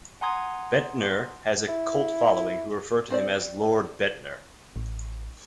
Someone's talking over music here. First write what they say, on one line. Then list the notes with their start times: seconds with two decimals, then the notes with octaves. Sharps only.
Bendtner has a cult following who refer to him as "Lord Bendtner".
0.21 F#5 G#5 A#5 C6 D#6 G#6
1.68 E4
3.11 C4 C5 D5
4.76 A1